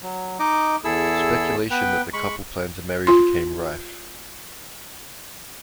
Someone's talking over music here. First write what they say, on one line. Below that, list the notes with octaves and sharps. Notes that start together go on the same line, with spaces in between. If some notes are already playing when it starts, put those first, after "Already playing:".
Speculation that the couple planned to marry became rife.
F#3
D#4 D#5 D6
E2 E4 G#4 A4 E6
B3 B4 G5
G#3 B5 C#6
F4 C6